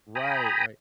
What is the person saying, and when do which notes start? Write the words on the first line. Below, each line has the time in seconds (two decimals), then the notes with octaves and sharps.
Right, right.
0.15 G5 G#5 A#5 B5 D#6